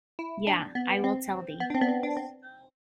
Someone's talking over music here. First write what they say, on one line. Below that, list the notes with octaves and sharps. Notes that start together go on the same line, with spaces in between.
Yea, I will tell thee.
E4
D4
B3
C4
B3
D4
C4
B3
C4
D4
C4